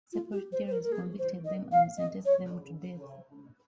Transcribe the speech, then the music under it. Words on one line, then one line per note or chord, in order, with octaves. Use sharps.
Separate juries convicted them and sentenced them to death.
F4
G4
C5
C5
A#4
A#4
G#4
C5
D#5
F5
D#5
C#5